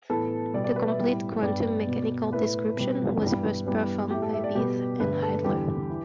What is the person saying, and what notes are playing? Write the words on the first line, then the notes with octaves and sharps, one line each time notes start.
The complete quantum mechanical description was first performed by Bethe and Heitler.
A2 E3 B3 A4
B2 G3 B3 D5
D5
B4
E5
A2 G3 B3
G2 G3 B3 D5
B2 B3
A2 A3 B4
B2 G3 B3
G2 E3 G3 B3
G2 E3 G3 B3
A2 A3 G4
A4
E5
D5
B2 G3 B3 G4
G2 D3 A3 B4
A4
E2 D3 G3 G4
E3